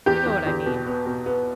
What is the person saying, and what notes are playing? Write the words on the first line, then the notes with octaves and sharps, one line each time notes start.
"You know what I mean."
E2 G4
E2
E2
B2
B3
B2
B3